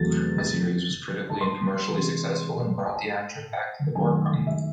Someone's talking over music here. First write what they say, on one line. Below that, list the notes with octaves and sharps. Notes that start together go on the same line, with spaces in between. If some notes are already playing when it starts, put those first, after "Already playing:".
The series was critically and commercially successful and brought the actress back to the forefront.
Already playing: E2 C3 F#3 A3 A6
A6
A5
C6
C3 E3 G#3
G#5
A5
F#2 D#3 A3 G#5
E5